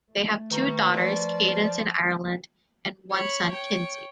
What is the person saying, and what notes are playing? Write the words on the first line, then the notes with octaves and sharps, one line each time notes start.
They have two daughters, Cadence and Ireland and one son Kinzy.
A3
D#3 B4 A#5 C#6
F3 D5
C#5 B5
C#5 G5